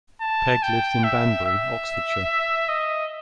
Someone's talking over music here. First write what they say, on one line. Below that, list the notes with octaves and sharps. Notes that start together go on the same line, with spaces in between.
Pegg lives in Banbury, Oxfordshire.
A5
G5
E5
E5
D#5